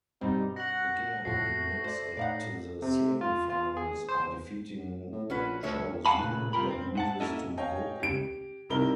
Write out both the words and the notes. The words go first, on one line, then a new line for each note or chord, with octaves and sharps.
Again, he makes it to the semi-finals by defeating Chaozu, but loses to Goku.
G2 B2 G3 C4 D#4
F#4 F#5 A#6 F#7
F2 A2 A3 F#4 A#6 C7
C5 D5
A2 D#4 D5 F5 F#5
C3
F4
F4
G#4
C5
A2
A#1 C#4 F#4 B4
D2 F3 C#5 E5
F5 F#5 G#5 A5 B5
A#2 C#3 B4
G2 C3 F4 G4 A#4 B5
C4
G#2 F#5 A5
A#3 C#4 E4 A4 D#5 E5
C#5 D#5 F5 G5 G#5
G4 D7
C2 C3 D#4 E4 A#4 G7